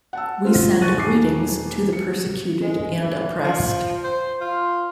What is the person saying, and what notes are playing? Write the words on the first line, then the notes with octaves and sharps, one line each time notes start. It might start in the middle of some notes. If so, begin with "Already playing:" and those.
We send greetings to the persecuted and oppressed.
F#5 A5 E6
C4 F4
E1 F3 C#6 F#6 A6 D#7
E1 D#3 D6 C7
C#7
G#3
E3
F3
C5
F4